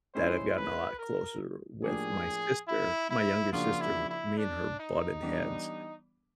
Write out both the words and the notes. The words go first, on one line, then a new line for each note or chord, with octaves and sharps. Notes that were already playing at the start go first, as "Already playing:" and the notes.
that I've gotten a lot closer with. My sister, my younger sister, me and her butted heads
G#3 C#4 E4 G#4 C5 C#5
B4
A#4
A2 F3 A#3 D4 G4 G#4
E4
E4
C#3 F3 A#3 D4 F4 F#4
E4
E4
D4
D#4
E3 G3 B3 D4